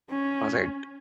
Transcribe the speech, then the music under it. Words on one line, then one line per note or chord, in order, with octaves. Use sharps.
I was like
C#4